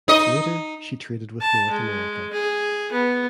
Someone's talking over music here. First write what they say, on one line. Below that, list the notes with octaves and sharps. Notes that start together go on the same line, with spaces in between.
Later she traded with North America.
D#4 D#5
A5
G#3
G#4
B3